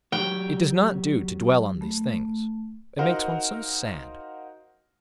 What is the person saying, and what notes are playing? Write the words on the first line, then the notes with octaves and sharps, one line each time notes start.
It does not do to dwell on these things; it makes one so sad.
F#3 G4 C#5 G5
A3
D#4 F#4 A#4 C5 F5 F#5